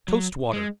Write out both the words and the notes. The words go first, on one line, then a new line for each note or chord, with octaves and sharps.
Toast Water.
F#3
G#3